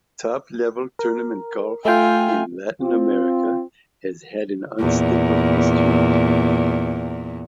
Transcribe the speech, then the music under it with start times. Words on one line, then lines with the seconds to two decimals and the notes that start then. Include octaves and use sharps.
Top level tournament golf in Latin America has had an unstable history.
0.99 A#4
1.85 A3 F4 E5 G5 G#5
2.82 C4 F4
4.79 E2 A#2